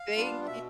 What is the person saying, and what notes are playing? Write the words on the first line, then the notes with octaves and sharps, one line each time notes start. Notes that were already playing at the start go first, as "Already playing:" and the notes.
Thank you
Already playing: F5
G3 B3 D4 F4
B2 E5